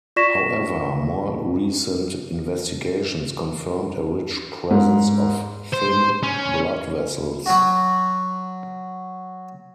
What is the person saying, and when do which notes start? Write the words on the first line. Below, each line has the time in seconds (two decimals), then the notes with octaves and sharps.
However, more recent investigations confirmed a rich presence of thin blood vessels.
0.16 F4 D5 C#6 A#6 B6 E7
4.70 G#2
5.73 C5
6.23 C#4
7.46 F#3 F#4